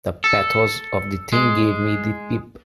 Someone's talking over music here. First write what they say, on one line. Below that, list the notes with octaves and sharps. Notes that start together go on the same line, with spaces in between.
The pathos of the thing gave me the pip.
A4
G#3